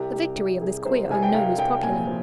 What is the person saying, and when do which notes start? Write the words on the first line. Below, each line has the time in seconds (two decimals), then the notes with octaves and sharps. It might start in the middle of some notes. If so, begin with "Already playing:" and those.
The victory of this queer unknown was popular.
Already playing: C2 G4
0.12 C2
0.37 C2
0.61 C2 G#4
0.85 C2 C5
1.10 C2 G#5
1.23 G5
1.34 C2 F5
1.58 C2 G5
1.83 A#2 G#5
2.07 F3